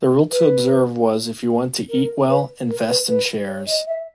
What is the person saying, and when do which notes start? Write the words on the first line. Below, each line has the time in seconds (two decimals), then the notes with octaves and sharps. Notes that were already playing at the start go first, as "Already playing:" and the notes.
The rule to observe was if you want to eat well, invest in shares.
0.30 B4
1.89 A#4
2.28 B4
2.67 A#4
2.88 B4
3.07 B4
3.47 C#5
3.67 D#5
3.86 E5